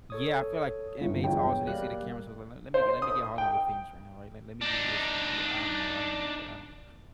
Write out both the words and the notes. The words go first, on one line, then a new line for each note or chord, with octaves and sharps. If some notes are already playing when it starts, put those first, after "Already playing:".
Yeah, I feel like inmates also, they see the camera, so, let let me get let me get Hollywood famous right now, right? Let let me do this, let me do that. I don't know, I don't know, but I don't know.
A4 C#5 D#6
G1
E2 F#3 G#3 G5
G3 A#3 F#6
C5
D#6
G5
D4 D#4